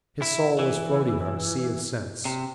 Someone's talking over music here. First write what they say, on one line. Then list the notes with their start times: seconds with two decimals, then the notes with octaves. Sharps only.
His soul was floating on a sea of sense.
0.22 E4
0.59 E3
2.25 C3